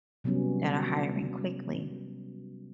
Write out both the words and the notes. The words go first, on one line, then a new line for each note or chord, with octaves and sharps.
that are hiring quickly.
C3 F#3 G3 B3 C#4